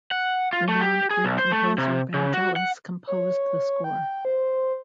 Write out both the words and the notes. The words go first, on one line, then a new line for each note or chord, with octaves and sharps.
Renowned Greek composer Vangelis composed the score.
F#5
F4
A3
G4
G#4
B1
C5
A3
C3
C#3
F#4
F#5
C#5
G5
C5